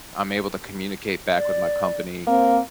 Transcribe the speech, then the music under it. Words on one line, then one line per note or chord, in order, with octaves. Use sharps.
I'm able to communicate back with my company
D5
A#3 C4